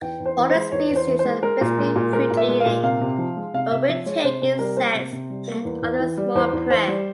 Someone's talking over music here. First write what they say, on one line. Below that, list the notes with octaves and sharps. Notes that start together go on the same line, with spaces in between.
All the species are basically fruit-eating, but will take insects and other small prey.
E2 G5
E2
C5
E3
C5
G#3
E2 C#5
E2
C5
E3
C5
G#3
G#3 A#4
A#2
G#3
A#2
G#3 A#4
A#2
E5
G#3
F5
A#2
C3 F5
C3
F3
G#3
C3 F5
C3 E5
F3 E5
G#3 C#5
C3 C5
C3 C5
G3 A#4
A#3 C5
C3
C3
G3
A#3
E2
E2
E3
G3
E2 C5
E2
E3 C5
G3